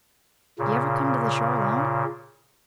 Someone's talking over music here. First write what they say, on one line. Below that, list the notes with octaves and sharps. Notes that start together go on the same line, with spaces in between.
"Do you ever come to the shore alone?"
A#2 C#3